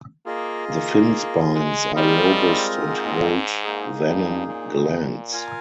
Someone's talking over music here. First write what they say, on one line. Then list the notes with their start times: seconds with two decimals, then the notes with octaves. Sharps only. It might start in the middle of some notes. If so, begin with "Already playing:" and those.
The fin spines are robust and hold venom glands.
0.26 A#3 F4 G#4 D#5
0.68 A#3
1.53 G#3
1.94 G3 G#3 C4 F4 A#4 D#5
2.79 G#2
3.63 A#3 D#4 G#4
4.05 G2
4.48 A#2
5.32 F4 A#4 F5 G#5